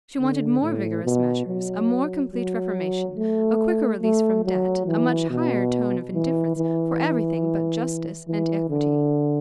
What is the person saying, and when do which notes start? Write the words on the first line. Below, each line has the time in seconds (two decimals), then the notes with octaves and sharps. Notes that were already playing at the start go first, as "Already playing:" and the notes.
She wanted more vigorous measures, a more complete reformation, a quicker release from debt, a much higher tone of indifference for everything but justice and equity.
0.20 D3
0.62 A2
1.04 B2
1.47 F#3
2.33 F#3
3.17 A3
4.02 A3
4.45 F#3
4.87 E3
5.30 B2
6.14 E3
6.57 E3
8.27 E3
8.69 D3